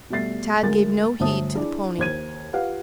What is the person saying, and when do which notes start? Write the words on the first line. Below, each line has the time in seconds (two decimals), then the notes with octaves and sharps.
Tad gave no heed to the pony.
0.10 B2 G3 A3 E5 A6 C7
0.63 D2 G#3 A#4 A6
1.20 G1 D2 C5 E5 A5 D#6
1.55 D4 E4 G#4 D5
1.98 D#2 C5 G#6 D#7
2.53 F4 G4 B4 F5 F#5